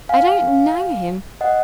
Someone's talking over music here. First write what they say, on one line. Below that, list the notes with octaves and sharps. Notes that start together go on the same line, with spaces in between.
I didn't know him!
F5 G#5
D#5 F#5